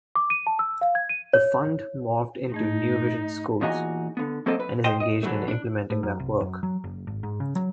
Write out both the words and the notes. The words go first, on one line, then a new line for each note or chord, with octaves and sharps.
The Fund morphed into New Visions Schools and is engaged in implementing that work.
D6
D#7
A5
E6
F5
G#6
D#7
C#5
G#2 A3 D#4 G#6
E2 A#2 D#4 F#4 D#5 G#5
D3 B3
F#3 A#3 C4 D4 A4 D#5
B4
C5 D#5 G5
D#5
D3 E3 F#3 A3
D4
A2
F#2
C2
F#2
F#3
F#1
G#1
G#2
C#3
F#3